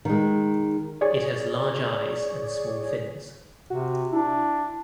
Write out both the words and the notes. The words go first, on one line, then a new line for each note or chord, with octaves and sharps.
It has large eyes and small fins.
D#3 G#3
G#4 C#5 D5
C3 F#4
D4 E4